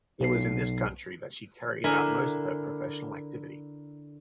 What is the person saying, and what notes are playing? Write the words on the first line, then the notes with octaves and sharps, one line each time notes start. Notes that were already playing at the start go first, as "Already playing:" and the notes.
It was in this country that she carried out most of her professional activity.
B1 C7
D3 E4 A#4 E5 G#5 A#5